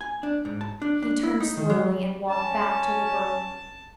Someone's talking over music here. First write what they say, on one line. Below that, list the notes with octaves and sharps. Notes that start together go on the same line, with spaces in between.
He turned slowly and walked back to the girl.
G#5
D4
G#2
A5
D4
D4
E4
D#4
D#3
F#3
C#4 A5